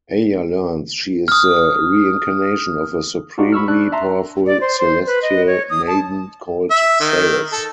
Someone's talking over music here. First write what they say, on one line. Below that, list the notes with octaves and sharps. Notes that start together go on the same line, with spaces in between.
Aya learns she is the reincarnation of a supremely powerful celestial maiden called Ceres.
D#6 F6
D4 D#4 F4 F#4 D5
B5 C#6 E6 F6
D4 F#6
E5 A5 A#5 C6
D5
C5
C5
B4
D#5
C#5
D#6
A5
E5
D#3
A4